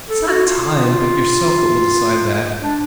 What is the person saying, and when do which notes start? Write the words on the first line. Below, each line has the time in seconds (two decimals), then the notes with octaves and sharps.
It's not time, but yourself that will decide that.
0.09 A4
0.27 F#4
0.46 F4
2.61 D4